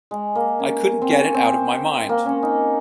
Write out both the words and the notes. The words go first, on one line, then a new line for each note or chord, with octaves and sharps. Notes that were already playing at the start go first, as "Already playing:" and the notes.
I couldn't get it out of my mind.
G#3
A#3
C#4
C4
C#4
C4
A#3
C#4
D#4